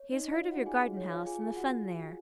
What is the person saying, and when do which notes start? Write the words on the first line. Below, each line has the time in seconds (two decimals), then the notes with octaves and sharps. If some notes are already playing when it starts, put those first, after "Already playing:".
He has heard of your garden-house and the fun there.'
Already playing: C#5
0.12 D#4 D#5
0.32 F4 F5
0.52 F#4 F#5
0.66 G#4 G#5
0.81 F#4 F#5
0.97 C#5
1.11 F4 F5
1.26 G#4 G#5
1.41 G#4 G#5
1.56 F#4 F#5